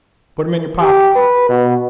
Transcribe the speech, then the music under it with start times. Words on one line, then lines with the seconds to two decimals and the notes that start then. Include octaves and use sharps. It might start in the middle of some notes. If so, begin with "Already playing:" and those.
"Put 'em in yo' pockets."
0.82 G4
1.16 B4
1.50 B2